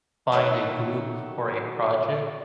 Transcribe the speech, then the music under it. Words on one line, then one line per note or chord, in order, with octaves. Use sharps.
find a group for a project,
D#3 F#3 A3